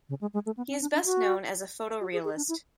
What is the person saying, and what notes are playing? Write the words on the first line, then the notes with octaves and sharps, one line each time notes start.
He is best known as a photorealist.
C#3
G#3
G#3
A3
B3
C#4
D4
D4
F#4
F#4
G#4
G#4
D4
E4